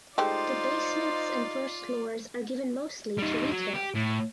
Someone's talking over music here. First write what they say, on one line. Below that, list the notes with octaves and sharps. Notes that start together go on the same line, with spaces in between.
The basements and first floors are given mostly to retail.
G#3 A3 D#4 F4 G4 C5 D5
G3 D#4
F#3
G4
A2